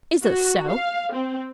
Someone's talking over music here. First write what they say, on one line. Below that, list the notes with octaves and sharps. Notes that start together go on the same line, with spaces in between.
Is this so?'
F#4
F5
C4